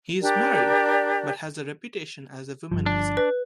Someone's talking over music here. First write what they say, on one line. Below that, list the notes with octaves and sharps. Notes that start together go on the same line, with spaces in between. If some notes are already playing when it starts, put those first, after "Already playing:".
He is married, but has a reputation as a womaniser.
D4 G4 A#4 D5
G1 G2 F3
D4
B4